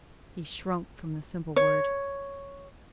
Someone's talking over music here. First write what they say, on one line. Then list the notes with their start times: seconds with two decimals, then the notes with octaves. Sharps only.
He shrunk from the simple word.
1.56 C#5